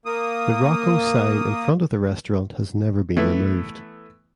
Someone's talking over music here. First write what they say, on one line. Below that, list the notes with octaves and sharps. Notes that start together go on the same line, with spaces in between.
The Rocco sign in front of the restaurant has never been removed.
A#3 D#6
E3 A3 B3 E4